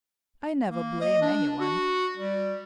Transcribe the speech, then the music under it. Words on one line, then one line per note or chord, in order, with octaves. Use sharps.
I never blame anyone.
A#3
D#5
D4
F#4
G3